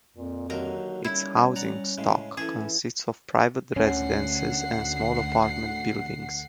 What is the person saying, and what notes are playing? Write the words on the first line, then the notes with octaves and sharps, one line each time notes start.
Its housing stock consists of private residences and small apartment buildings.
F2 A#2
D#2 D3 D#3 F#3 A#4
G3 C#4 E4
D5 F#5 A#5
A2 C#3 G#3
E3 C#4 E4 G#4 A4
D2 C#4 F#5 C7